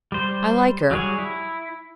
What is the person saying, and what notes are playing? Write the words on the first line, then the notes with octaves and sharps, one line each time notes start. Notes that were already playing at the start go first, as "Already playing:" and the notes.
I like her.
G3 C5
F#3 G3 G#4 C#5
E4